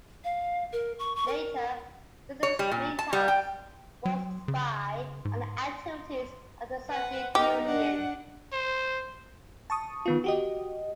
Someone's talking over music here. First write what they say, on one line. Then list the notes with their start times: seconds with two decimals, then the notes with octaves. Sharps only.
Later, Wisner's main task was to spy on the activities of the Soviet Union.
0.24 F5
0.72 A#4
0.99 C#6
1.16 C#6
1.28 A#4
2.43 C#5
2.59 G3
2.72 A#2
2.99 A5
3.13 G3
3.28 G5
4.06 F#3
4.48 C#3
5.25 G#2
6.90 B4 F#5
7.35 D#4 G4 A#4 D#5
7.65 D4 F#5
8.53 C5
9.70 A5 C#6 D#6
10.06 D#3 B3 F4
10.24 F#4 G4 D#5